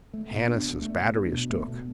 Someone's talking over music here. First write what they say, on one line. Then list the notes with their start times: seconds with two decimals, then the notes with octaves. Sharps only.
"Hannises' batt'ry is took."
0.13 A3
0.31 B2
0.48 D4
0.65 B2
0.82 A3
0.99 B2
1.16 D4
1.33 B2
1.50 A3
1.68 B2